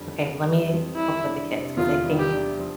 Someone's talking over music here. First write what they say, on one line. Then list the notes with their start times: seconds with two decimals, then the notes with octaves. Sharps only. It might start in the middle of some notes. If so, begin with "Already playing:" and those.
"Okay, lemme help with the kids," 'cause I think
Already playing: F2 D3 G3
0.13 F2
0.41 G3
0.68 F2
0.95 G3 E4
1.23 D4
1.50 C3
1.77 E2 F4
2.05 G3
2.19 G4
2.32 D4
2.59 F3